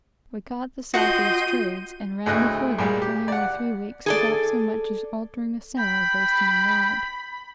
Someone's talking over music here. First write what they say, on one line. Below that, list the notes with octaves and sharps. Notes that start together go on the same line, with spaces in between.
We caught the south-east trades, and run before them for nearly three weeks, without so much as altering a sail or bracing a yard.
F4 F#4 D#5 F#5 G5 C6 G6 D#7
D2 A2 G#4 D#5 F#6
A#2 G3 G#3
G4
D5 F#5
G#4 A4 D5
G5 B5